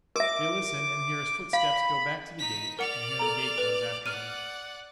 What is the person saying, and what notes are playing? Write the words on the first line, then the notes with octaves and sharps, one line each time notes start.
They listen, and hear his footsteps go back to the gate, and hear the gate close after him.
A#4 E5 D6
F5 B5
D#4 B6
A#4 D5 F#5 F6 C#7
A4 A#5
B4
D5 F#5 F6 D#7